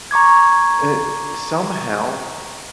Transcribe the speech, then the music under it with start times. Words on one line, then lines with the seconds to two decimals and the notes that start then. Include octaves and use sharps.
it somehow,
0.11 A#5 C#6 D6 G#6